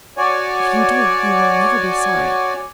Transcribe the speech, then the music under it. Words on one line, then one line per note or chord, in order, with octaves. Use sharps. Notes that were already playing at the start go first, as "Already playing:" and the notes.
If you do, you will never be sorry.'
F#4 C#5 D5 G#5